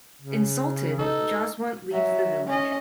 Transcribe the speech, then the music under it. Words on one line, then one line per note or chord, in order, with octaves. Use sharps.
Insulted, Jaswant leaves the village.
C#3
D#4 A4
F#3 E5
C#4 D#5